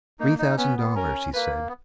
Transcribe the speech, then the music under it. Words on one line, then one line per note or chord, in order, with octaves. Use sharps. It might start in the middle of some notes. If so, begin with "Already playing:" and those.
"Three thousand dollars," he said.
A#3 D#4
D#4
B3 C#4
B3
C#4 A#4
A#3 B4
B3